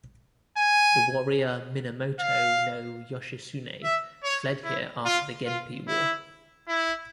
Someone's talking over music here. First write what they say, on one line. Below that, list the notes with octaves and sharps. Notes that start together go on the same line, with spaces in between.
The warrior Minamoto no Yoshitsune fled here after the Genpei War.
G#5
F5
E5
C#5
E4
F4
F4
E4
E4